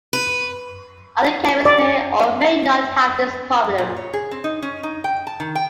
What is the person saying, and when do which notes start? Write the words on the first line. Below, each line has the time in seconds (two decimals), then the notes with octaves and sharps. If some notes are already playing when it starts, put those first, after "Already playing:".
Other cameras may or may not have this problem.
0.13 B4
1.65 D5
3.78 A#2
3.96 C#5
4.13 G#4
4.31 C4
4.44 D#4
4.62 C#4
4.83 D#4
5.04 G5
5.27 A5
5.40 D#3
5.55 G5